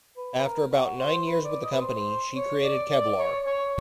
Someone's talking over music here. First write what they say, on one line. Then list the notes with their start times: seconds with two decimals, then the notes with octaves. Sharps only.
After about nine years with the company, she created Kevlar.
0.17 B4
0.39 B4
0.45 A#4
0.72 F#4
0.99 C5
1.27 B4
1.45 D5
1.64 D#5
1.72 B4
1.81 C5
2.36 C#5
2.64 D5
2.91 D5
3.19 C#5
3.46 C#5